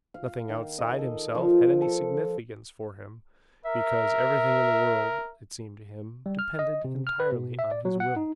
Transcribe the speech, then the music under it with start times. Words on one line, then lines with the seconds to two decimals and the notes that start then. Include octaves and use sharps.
Nothing outside himself had any significance for him, because everything in the world, it seemed to him, depended entirely on his will.
0.14 F5
0.49 D#3
0.78 D#5
0.99 A4
1.35 F3
1.82 A4
3.65 A#4 E5
6.26 G3
6.39 F6
6.59 D#5
6.85 C3
7.07 F6
7.20 B4
7.32 B2
7.59 E5
7.71 D5
7.85 F#3
8.00 F#5
8.16 D#4